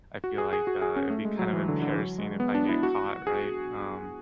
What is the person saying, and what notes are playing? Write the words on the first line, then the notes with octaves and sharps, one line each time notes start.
I feel like, uh, it'd be kind of embarrassing if I get caught, right? Um,
F#4
G#4
G#4
F#4
G#4
C#4
A3
G#3
F#3
E3
D3
D3
E3
F#3
G#3
B3
D4
E4
F#4
G#4